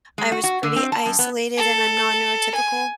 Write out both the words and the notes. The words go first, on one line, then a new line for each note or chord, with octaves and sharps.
I was pretty isolated, and I'm non-neurotypical.
G#3
F#4
F#4
D3
C4
A5
F#2
B3
A4
G#5